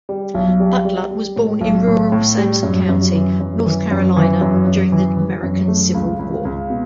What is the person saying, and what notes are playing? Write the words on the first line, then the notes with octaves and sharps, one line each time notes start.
Butler was born in rural Sampson County, North Carolina during the American Civil War.
G3
B1
G3
G3
G3
A2
B1
A2
A2
G3
F#2
F#2
E3
F#2
E3
F#2
E3
F#2
F#2
E3
E3
F#2
A3
C#2
C#2
C#2
B2